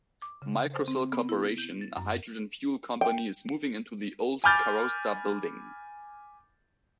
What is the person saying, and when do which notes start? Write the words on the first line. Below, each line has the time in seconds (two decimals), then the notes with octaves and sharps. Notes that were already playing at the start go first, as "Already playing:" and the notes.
Microcell Corporation, a hydrogen fuel company is moving into the old Caraustar building.
0.22 D6
0.42 C#3
0.74 C5
0.88 C4
1.12 B3
1.29 E4
1.58 G6
1.81 A6
1.97 F#2
3.01 G5
4.44 G#5 B5 D6 F6 G6 A6